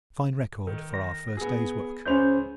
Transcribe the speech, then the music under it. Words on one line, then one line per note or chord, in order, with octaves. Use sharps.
A fine record for our first day's work.
D#3
A#6
B3 G#4
C#2 C#4 C5 C#5 G6 F7